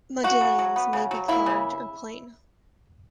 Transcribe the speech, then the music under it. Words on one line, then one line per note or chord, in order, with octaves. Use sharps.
Modillions may be carved or plain.
A#3 F#4
C#3
F#3
B3
C#3
F#3
A#3 E4
C#3